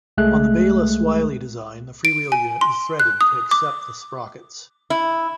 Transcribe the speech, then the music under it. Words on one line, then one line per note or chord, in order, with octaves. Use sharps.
On the Bayliss-Wiley design the freewheel unit was threaded to accept the sprockets.
C2 G#3 A3 G#4 F#6
D7
G#5
C6
F#6
D#6
D6
E4